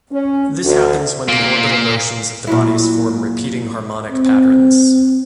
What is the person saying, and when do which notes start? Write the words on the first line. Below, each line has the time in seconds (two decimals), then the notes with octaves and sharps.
This happens when the orbital motions of the bodies form repeating harmonic patterns.
0.12 C#4
0.64 D2
1.28 A#2 A#3
2.47 A#2 F#3 E4
4.11 C4